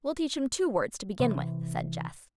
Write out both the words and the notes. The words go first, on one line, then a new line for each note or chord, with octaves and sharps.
"We'll teach him two words to begin with," said Jess.
C3 E3